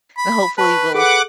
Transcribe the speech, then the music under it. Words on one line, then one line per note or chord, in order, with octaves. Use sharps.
and, hopefully, we'll
B5
B4 A5 C#6
G#4 A4 B4 F#5 D6